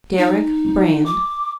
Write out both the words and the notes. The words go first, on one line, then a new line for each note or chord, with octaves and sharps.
Deryck Brand.
D#4
D6